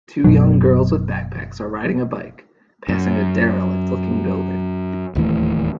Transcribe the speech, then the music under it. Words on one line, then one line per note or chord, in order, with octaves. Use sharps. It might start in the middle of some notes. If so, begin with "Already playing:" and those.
Two young girls with backpacks are riding a bike, passing a derelict looking building.
F#1 B2 F#3
F#2
D1 D#2 E3 A3